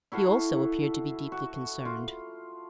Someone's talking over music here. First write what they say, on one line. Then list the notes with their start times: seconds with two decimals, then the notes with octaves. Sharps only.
He, also, appeared to be deeply concerned.
0.12 E4 F#4 A4 F5
1.32 F#4
1.85 F4